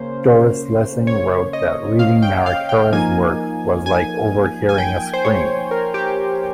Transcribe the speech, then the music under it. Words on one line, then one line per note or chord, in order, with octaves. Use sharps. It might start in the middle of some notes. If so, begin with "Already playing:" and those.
Doris Lessing wrote that reading Marechera's work was "like overhearing a scream".
Already playing: C#3 A#3 C#4 C5
C#5
D#5
F5
G5
F5
G5
F3 A#3 D#4 G#5
G#5
G#5
G5
C5
C#5
A#4
G4